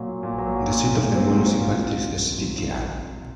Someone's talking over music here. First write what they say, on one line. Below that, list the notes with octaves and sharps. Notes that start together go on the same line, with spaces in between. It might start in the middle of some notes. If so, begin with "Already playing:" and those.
The seat of the municipality is the city Tirana.
Already playing: A#2 F#3
F4
A#2
F#3
F#3
A#2
A#2
A#2
C4
F#3
C4
F4